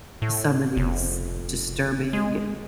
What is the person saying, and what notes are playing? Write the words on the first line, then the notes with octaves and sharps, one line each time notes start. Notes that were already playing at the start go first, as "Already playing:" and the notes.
some of these disturbing,
A2
F1
G#3